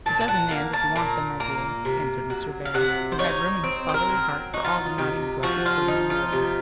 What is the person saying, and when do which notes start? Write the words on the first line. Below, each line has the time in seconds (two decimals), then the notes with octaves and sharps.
"A dozen Nans if you want them, my dear," answered Mr. Bhaer, who had room in his fatherly heart for all the naughty neglected children in the world.
0.06 A#2 A5
0.21 A5
0.28 F#5
0.51 A#3 F5
0.73 A5
0.96 A#2 A#5
1.40 A#3 A#5
1.85 C3
2.30 F#3
2.65 F5
2.74 C3 F#5
3.12 C5
3.19 D#4 C#5
3.63 C4
3.89 C5
3.94 A#4
4.09 F#3
4.54 D#4 F#4
4.65 F4
4.86 F4
4.98 C3
5.43 F3 F#4
5.66 F4
5.88 D#4
6.10 F4
6.33 C3